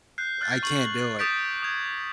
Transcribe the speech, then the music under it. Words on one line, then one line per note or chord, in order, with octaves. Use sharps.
I can't do it.
F#6 G6 C7
F6 F#6 A6
C#6 F#7
D6 D#6 G6 A6 B6 D7
D#6 G#6